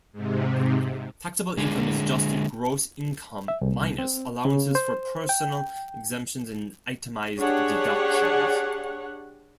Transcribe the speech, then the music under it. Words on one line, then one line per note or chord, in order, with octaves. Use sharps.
Taxable income is adjusted gross income minus allowances for personal exemptions and itemized deductions.
G#2 C3
D3 G#3
E5
C2
C4
C#3
C5
G5
D4 G4 G#4 C#5 F#5